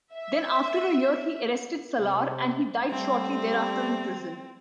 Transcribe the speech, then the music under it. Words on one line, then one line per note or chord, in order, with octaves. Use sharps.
Then after a year he arrested Salar and he died shortly thereafter in prison.
E5
C3
G3 A3 C4